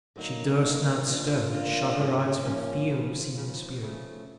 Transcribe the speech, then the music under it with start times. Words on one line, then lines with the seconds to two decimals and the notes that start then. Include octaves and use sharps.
She durst not stir, and shut her eyes for fear of seeing a spirit.
0.16 D3 F#3 A#3 D#4
0.61 D3 F#3 A#3 D#4
1.06 F3 A#3 D4 F4
1.52 F3 A#3 D4 F4
1.98 G#2 F3 A#3 C#4
2.44 G#2 F3 A#3 C#4
2.89 D#2 C#3 F3
3.35 D#2 C#3 F3
3.81 E2 C#3 F3 A3